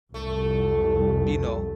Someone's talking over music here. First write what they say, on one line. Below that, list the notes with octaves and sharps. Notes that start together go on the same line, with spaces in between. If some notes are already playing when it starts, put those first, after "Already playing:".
you know,
C2 F2 A3